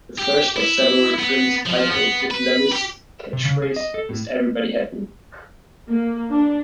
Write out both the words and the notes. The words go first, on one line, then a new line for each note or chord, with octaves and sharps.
The first of several films titled with Lewis' catchphrase, Is Everybody Happy?
G4
E4
B3
F3
B3
B4
G4
C3
C#3
G#4
D#5
A4
A2
A#3
D4